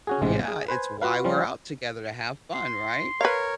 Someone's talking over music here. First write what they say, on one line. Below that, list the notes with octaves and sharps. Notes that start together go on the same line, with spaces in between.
Yeah, it's why we're out together, to have fun, right?
C#4 F#4 G#4
A1 G#2 C3 G#3
G#4 G#5
B4 C5 G#5
F4 F#4 B4 F5
F3 G3 C#4 F4
C6
A#4 B4 C#5 F5